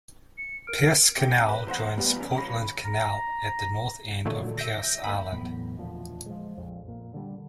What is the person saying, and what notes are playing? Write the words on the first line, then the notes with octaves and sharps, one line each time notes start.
Pearse Canal joins Portland Canal at the north end of Pearse Island.
C#7
A#4 F6 D7
C3 G5 A#6
B4
E2 C5 F#5 A#6
A#2 G3 B3
E2 C#4
G1 B5 A#6
A#5
A#2 D3 D#3 F#3 A3
E5 G6 A#6
D#2 B5
E2 A2 F#3 B3
E1 D2 A#2 F3
F3 G#3
A#1 F2
A#2
D3 G3